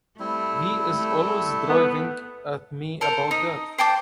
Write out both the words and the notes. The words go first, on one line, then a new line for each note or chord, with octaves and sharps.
He's always driving at me about that.
G3 A3 C4 E4
A3
B3
A4 A#4 C5
D#4 D#5
C5 G5 A5 D6